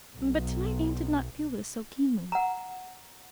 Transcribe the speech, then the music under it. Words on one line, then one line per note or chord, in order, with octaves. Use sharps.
But tonight Anne did not feel this so keenly.
B1
F#5 A#5